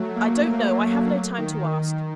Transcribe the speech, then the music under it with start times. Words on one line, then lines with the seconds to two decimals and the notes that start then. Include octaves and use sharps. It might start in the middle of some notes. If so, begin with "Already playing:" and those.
'I don't know,--I have no time to ask.
Already playing: F#3 A3
0.16 A#3
0.46 A#3
0.77 A3
1.07 F#3
1.38 D#3
1.68 D#3